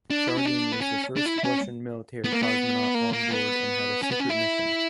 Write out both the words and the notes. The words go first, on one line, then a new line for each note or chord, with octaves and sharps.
Shargin was the first Russian military cosmonaut on board and had a secret mission.
D4
E4
C#4
D4
B3
C#4
D4
E4
C#4
B3
A#3
B3
A#3
A#3
B3
C#4
B3
C#4
E4